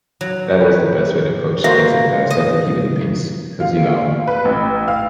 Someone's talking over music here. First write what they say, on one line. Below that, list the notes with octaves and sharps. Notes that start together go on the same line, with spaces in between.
that is the best way to approach things like that is definitely keeping the peace 'cause, you know,
F#3
B4 C#5 G5
A#3 F#4 B4 C5 E5
D#5
F4
B4
A1
F5